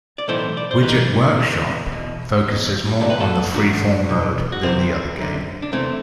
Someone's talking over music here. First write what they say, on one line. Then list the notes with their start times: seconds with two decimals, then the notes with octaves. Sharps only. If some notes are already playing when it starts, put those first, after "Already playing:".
"Widget Workshop" focuses more on the freeform mode than the other game.
0.18 D5
0.28 B1 A2 E3 A4 C5
0.57 D5
0.71 C5
0.82 B1 A2 E3 G4 B4
1.37 D2 C3 E3
1.92 E2 B2
2.46 E2 B2
3.00 C2 C3 E3 A4
3.10 B4
3.20 F#4 A4
3.54 F#2 E3 D4 F#4
4.09 B1 B2
4.52 F#4
4.63 D2 C3 E3 C4 E4
5.19 F#2 D3
5.62 D4
5.72 E2 C3 E3 A3 C4